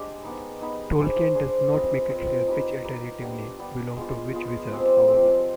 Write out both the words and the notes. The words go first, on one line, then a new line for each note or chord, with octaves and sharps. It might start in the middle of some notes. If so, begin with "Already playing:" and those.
Tolkien does not make it clear which alternative name belongs to which wizard, however.
Already playing: G#3 D4 G4
B3 D#4 B4
B3 D#4 B4
D4 G#4 C5
D4 G#4 C5
C4 F4 B4 D#5
C4 F4 B4 D#5
D#4 G4 B4
D#4 G4 B4
G3 B3 D4
G3 B3 D4
G#3 B3 F4
G#3 B3 F4
F3 G#3 C4 G4
F3 G#3 C4 G4